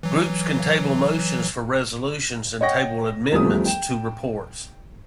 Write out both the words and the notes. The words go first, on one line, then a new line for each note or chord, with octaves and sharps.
Groups can table motions for resolutions and table amendments to reports.
E3 F#3
C#5 D#5 F#5 G5 C#6 A#6
D#1 E2 F3 G3 A3 D#6
G5 E7